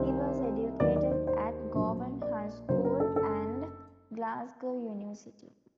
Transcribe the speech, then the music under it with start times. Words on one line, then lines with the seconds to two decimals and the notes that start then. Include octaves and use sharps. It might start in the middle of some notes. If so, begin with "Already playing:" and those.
He was educated at Govan High School and Glasgow University.
Already playing: C2 C3 D#3 C5
0.80 D#2 D#3 F#3 D5
0.96 D5
1.11 C5
1.27 C5
1.74 A#1 A#2 F#3
2.22 D5
2.68 F#1 F#2 D3 F#3 C5
2.85 A#4
3.00 A4
3.16 A4